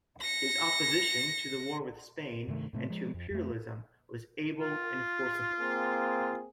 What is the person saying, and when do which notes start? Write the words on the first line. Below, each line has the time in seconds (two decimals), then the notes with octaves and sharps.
His opposition to the war with Spain and to imperialism was able and forcible.
0.21 A#6 C#7
2.47 G2 C3 D#3 A3
2.73 A2 C3 A3
2.90 F3 G#3
3.14 F2
3.30 F2 A3
4.60 F4
5.60 A#3 C4 G#4